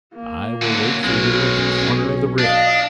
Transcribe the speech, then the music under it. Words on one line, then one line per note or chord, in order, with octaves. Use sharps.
I will wait for you at the corner of the bridge.
A#3
D3 F#3
B1 G#3 A#3 C#4
D4 D#5 F5